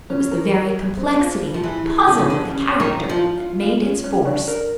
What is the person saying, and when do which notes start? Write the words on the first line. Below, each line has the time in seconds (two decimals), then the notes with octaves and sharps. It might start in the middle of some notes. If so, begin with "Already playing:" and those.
It was the very complexity and puzzle of the character that made its force.
0.10 C#4
0.31 A#4
0.54 A#4
0.76 G#4
0.97 C4
1.19 F4
1.41 G3
1.54 F3
1.63 E3 G#4
1.85 G#4
2.07 D3 G3
2.18 C#3
2.28 D3 G#4
2.51 C#4
2.72 C#5
2.80 D#3
2.94 F4
3.09 F3
3.17 F4
3.38 F4
3.60 F4
3.82 C#4
4.04 C#4
4.25 D4
4.48 A#4